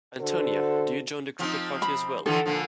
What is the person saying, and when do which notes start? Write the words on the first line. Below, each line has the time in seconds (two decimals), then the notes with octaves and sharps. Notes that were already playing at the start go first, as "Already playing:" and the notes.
Antonia, do you join the crypto-party as well?
0.20 D3 F#4 A4 C5
1.39 F3 C4 D#4
1.82 B5
2.26 D3 E3 F3 A4
2.46 A#2 D3 F3